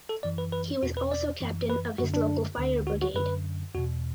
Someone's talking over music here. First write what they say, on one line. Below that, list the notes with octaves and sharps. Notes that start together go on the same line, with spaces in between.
He was also Captain of his local Fire Brigade.
A4
F#2 E3 D5
B4
B4
E2 B2 F#4
B4
D5
F#2 E3
B4
F#2 D3 F#4
D4
D2 D3
F#4
F#4
F#2 D3 B4
E2 B2 F#4